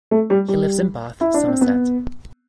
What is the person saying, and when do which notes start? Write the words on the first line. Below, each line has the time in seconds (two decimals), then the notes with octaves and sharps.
He lives in Bath, Somerset.
0.11 A3
0.30 G3
0.48 G3
1.21 E4
1.34 D4
1.47 C4
1.61 B3